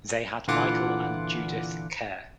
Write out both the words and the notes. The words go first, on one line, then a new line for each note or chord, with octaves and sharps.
They had Michael and Judith Kerr.
A#2 D3 E3 F4 F#5 D6